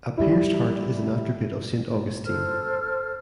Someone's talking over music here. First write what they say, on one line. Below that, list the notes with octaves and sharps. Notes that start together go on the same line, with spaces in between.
A pierced heart is an attribute of Saint Augustine.
G3 E4
A4 C5 F6